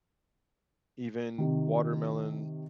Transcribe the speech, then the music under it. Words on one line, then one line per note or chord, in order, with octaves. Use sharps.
even watermelon
C3 D#3